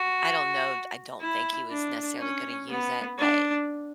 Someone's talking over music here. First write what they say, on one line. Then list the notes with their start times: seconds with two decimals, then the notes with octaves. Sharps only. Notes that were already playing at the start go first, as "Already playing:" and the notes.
I don't know, d I don't think he was necessarily gonna use it, but,
Already playing: F#4
1.21 E4
1.70 D4
2.19 C#4
2.69 B3
3.18 D4